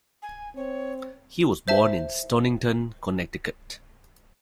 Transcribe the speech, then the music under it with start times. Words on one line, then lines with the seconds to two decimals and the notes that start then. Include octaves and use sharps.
He was born in Stonington, Connecticut.
0.22 G#5
0.56 C4 C#5
1.68 C5 E5 A5